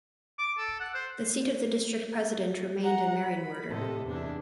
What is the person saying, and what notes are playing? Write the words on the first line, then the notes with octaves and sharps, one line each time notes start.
The seat of the district president remained in Marienwerder.
D6
A4
F#5
C5
F#5 A#5
B5
A2 C3 A4 D#5
E2 D4 E4